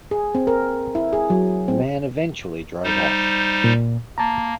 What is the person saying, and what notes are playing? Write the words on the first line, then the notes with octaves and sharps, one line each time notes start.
The man eventually drove off.
G#4
C4
A#4
E4
G#4
F#3
C4
G3 D#4 C5
A#2
A#3 A5 A#5